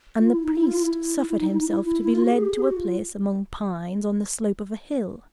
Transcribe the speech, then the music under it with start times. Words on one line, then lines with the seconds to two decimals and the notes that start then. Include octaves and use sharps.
And the priest suffered himself to be led to a place among pines, on the slope of a hill.
0.18 F4
0.31 E4
0.43 D#4
0.56 E4
0.67 F4
0.80 E4
1.30 E4
1.38 D#4
1.48 E4
1.58 D#4
1.66 E4
1.85 E4
2.03 E4
2.12 F4
2.21 F#4
2.31 G#4
2.41 G4
2.50 G#4
2.58 G4
2.68 F#4
2.77 F4